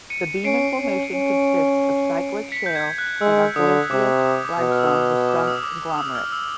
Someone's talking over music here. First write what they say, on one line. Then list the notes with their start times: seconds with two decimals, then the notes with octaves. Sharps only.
The Beeman Formation consists of cyclic shale and argillaceous limestone with some conglomerate.
0.10 C#7 D#7
0.44 C#4 C7 D7
0.80 C#4
1.14 C#4
2.52 B6 C#7
2.66 G6
2.75 G#6
2.98 F#6
3.21 G#3 E6
3.56 D3 D#6
3.90 C3 D6
4.25 D6
4.35 D#6
4.45 D6
4.60 B2 D#6
4.72 F6
4.79 E6
4.87 D#6
4.94 D6
5.29 D6
5.39 F6
5.48 E6
5.55 D#6
5.63 D6
5.90 D#6
5.98 E6
6.15 F6
6.32 E6